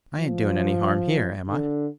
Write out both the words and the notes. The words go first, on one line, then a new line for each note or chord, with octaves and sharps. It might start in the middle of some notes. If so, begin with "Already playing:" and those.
'I ain't doing any harm here, am I?'
F3
D3